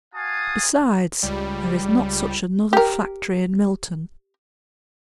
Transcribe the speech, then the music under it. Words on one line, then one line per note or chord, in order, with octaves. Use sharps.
Besides, there is not such another factory in Milton.
F#4 F5 G#5 A5 D#6
C#2 G3
G4 A#4